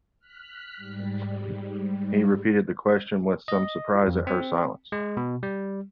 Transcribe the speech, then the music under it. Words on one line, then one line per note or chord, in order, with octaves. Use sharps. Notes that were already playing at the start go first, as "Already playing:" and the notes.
He repeated the question, with some surprise at her silence.
F6 F#6 B6
G#2 G3
D#5
F2
C4
G#3
B2
G3